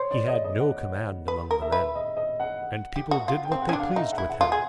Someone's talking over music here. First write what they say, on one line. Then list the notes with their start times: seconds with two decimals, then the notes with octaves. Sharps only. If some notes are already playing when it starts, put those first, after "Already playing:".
He had no command among the men, and people did what they pleased with him.
Already playing: C5 C#5
0.11 D5
0.28 D#5
0.44 D#5
0.60 F#5
1.28 B4
1.51 A#4
1.62 E5
1.72 B4
1.95 D#5
2.17 D#5
2.40 F#5
2.96 G4
3.11 F#4
3.28 F4
3.45 G5
3.52 C4
3.62 F#5
3.69 C#4
3.73 D4
3.79 F5
3.96 D#4 E5
4.12 F#5
4.18 E4
4.30 F#5
4.41 F4
4.52 G#4